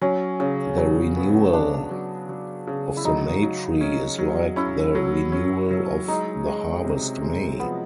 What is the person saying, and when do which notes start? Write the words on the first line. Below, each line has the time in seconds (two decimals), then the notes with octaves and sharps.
The renewal of the May-tree is like the renewal of the Harvest-May.
0.01 F#3 C#4
0.40 C#3 C#4
0.78 F#3
1.16 B3
1.53 C#3 D4
1.91 F#3
2.29 F#3
2.67 C#3
2.97 E4
3.05 F#3 D#4
3.43 F#3
3.81 C#4
4.18 F#3
4.56 C#4 E4
4.95 F#3
5.32 C#4
5.71 F#3
6.08 G#3 D#4
6.46 G#3
6.84 C3
7.22 G#3
7.60 F3 B3